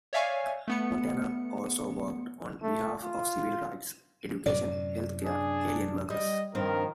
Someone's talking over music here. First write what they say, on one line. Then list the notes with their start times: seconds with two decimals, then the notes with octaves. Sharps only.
Montoya also worked on behalf of civil rights, education, health care, alien workers.
0.13 C#5 D5 E5 F5 G#5 C#6
0.68 A3 B3 C#7
2.63 A3
3.03 F4
4.46 F#2 A2 C3 D5
5.24 D4 G#4
6.10 G3 D#5
6.55 G2 D#3 F3 C4 A#4